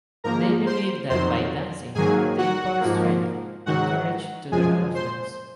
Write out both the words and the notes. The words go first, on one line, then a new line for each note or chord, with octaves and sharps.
They believe that by dancing they impart strength and courage to their husbands.
G#2 F3 A#3 A#4 A#5
C5 C6
F2 D#3 F#3 C5 C6
G#2 D#3 F#3 A#3 G#4 G#5
F#4 F#5
G#2 F3 A#3
G#2 D#3 F#3 F#4 F#5
F#2 F3 G#3 G#4 G#5
C5 C6